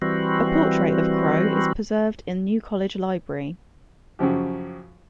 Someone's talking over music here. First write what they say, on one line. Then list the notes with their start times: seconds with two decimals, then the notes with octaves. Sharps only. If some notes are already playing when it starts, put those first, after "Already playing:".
A portrait of Crowe is preserved in New College library.
0.02 E3 G3 C4 F#4
4.19 F#2 C#3 F3 G4